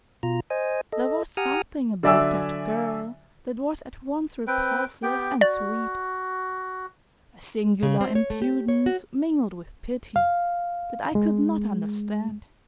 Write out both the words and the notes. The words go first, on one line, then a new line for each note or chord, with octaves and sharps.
There was something about that girl that was at once repulsive and sweet, a singular impudence mingled with pity, that I could not understand.
B2 F4 A#5
C5 D#5 G#5
A4 D#5
G4 F#5 G#5 A#5 D#6 F6
D3 F#3 D5 E5 G#5 E6
C4 B4 G5
B3 G4 G5
F#4 D5
C#3
C4
C#5
A3
G4
C#5
F#4
F5
G#3